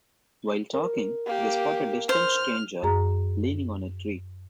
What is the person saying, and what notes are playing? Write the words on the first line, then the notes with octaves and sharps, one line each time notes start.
While talking, they spot a distant stranger leaning on a tree.
A#4
A#3 G4
C5 F6
F#2 G#4 A#5